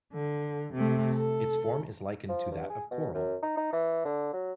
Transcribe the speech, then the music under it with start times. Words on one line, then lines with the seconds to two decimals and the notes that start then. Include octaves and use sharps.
Its form is likened to that of coral.
0.14 D3
0.74 C3 A3
1.16 A4
2.29 F3
2.51 G2
2.70 G#4
2.91 B2
3.14 F#2
3.42 D#4
3.57 D#4
3.73 E3
4.05 D3
4.33 F#3